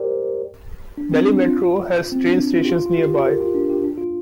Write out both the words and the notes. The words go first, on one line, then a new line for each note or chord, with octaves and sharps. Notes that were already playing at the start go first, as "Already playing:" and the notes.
Delhi Metro has train stations nearby.
Already playing: G4 A#4 C5 D5
D4
C4
D4
F4
C4
D4
F4
G4
F4
F4
G4
G4
A#4
F4
D4
G4
D4
F4